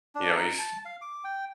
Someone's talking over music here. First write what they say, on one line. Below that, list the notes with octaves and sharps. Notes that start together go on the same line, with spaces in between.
you know, he's,
D4
D#4
A5
F5
D6
G5